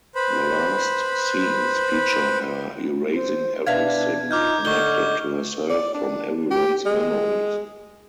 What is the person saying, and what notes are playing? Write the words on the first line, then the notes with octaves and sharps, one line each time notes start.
The last scenes feature her erasing everything connected to herself from everyone's memories.
B4 C5 B5
C5
B2 D4 B4 E5 F5 G#6
D#4 F4 D6 F6 G6
D3 D#4 D#5 C#6 G6 G7
D5
D4
G4
G#3